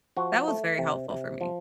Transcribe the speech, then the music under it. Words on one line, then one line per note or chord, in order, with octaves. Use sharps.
That was very helpful for me.
F3 F#4
A3
C3
C3
F3